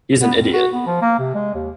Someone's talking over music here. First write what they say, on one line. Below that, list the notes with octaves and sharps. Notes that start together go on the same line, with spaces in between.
he's an idiot.
B3
F2
F#4
B3
F3
A#3
C3
G#3
D#2